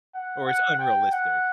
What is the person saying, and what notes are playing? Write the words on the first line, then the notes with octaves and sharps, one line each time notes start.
Or, it's unrealistic.
F#5
F#5
G5
F#5